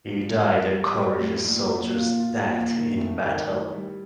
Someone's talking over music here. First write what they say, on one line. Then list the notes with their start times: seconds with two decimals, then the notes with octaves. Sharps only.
He died a courageous soldier's death in battle.
0.17 F3
0.43 F3
0.69 G3
0.94 G3
1.19 A2
1.44 A#1
1.70 A#2
1.95 F4
2.20 F4
2.46 A#2
2.71 D#3
2.97 A3
3.22 D#3
3.48 A1
3.72 G3